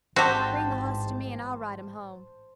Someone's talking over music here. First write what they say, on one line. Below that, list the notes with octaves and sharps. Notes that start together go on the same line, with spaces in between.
Bring the hoss to me, an' I'll ride him home.
A1 G#2 C4 F#4 G4 C5 A5